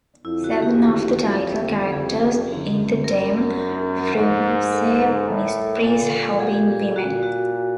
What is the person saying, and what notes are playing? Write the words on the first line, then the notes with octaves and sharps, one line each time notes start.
Seven of the title characters in the Dame Frevisse mysteries have been women.
F2 E4
F#4
G4
G#4
F#2
A#4
G#2
A4
A2
A#2 A4
G#4
G4
G#4
A#2 F#4
F#4